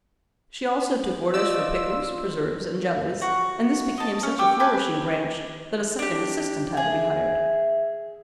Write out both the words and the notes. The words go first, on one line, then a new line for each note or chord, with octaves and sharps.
She also took orders for pickles, preserves, and jellies, and this became such a flourishing branch that a second assistant had to be hired.
F4 D5 D#5 E6
F#4
D#5 A5
C#4
G4 G5 D6 E6
G4 B4 G#5 A5
D4 G4
G#4 E5